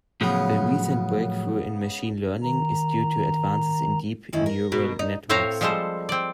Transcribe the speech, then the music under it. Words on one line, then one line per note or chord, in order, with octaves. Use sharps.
The recent breakthrough in machine learning is due to advances in deep neural networks.
A2 C#3 F3 F#3 B3
D#3 A#5
F#2 D#3 E4
A#4
B2
D#4
A2 C4 C5 C#5 F5 A#5
F3 G3 G#3 A4 C5
C4 D5